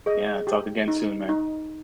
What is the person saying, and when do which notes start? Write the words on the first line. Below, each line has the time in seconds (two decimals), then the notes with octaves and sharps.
Yeah, talk again soon, man.
0.06 G#4 D#5
0.47 G4
0.88 D#4
1.29 D#4